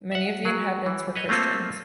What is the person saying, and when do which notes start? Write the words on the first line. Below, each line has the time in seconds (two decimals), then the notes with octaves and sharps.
Many of the inhabitants were Christians.
0.12 E5 F#5
0.45 F#3 G#4
0.86 E3
1.16 B4 C#5 D#5
1.29 A3 A#3 C4 F4 A4